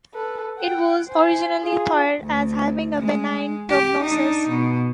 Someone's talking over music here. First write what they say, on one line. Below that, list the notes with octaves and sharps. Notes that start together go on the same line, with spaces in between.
It was originally thought of as having a benign prognosis.
A4 B4
F#5 G5
C5 G#5
F4 G#4
D2
G#3
G4
D4 D#4
B2